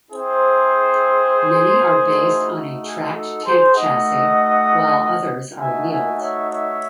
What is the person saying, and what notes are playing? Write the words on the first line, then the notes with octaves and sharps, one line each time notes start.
Many are based on a tracked tank chassis, while others are wheeled.
C4 E4 G#4 C5
A3 D#4 F#4
G#4
A4
G#4 C5
A3 D#4 F#4 D#5 F#5
A3 D#4 F#4 E5 G#5
E5 G#5
C#5 E5
C#5 E5